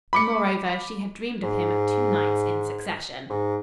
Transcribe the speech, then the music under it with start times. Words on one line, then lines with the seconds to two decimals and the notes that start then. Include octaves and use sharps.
And, moreover, she had dreamed of him two nights in succession.
0.13 B5 D6 C#7
1.43 G#2
3.30 G#2